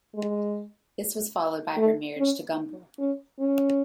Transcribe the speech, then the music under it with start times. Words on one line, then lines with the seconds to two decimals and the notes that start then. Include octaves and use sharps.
This was followed by her marriage to Gumble.
0.15 G#3
1.77 A3
2.18 C#4
2.99 C#4
3.40 C#4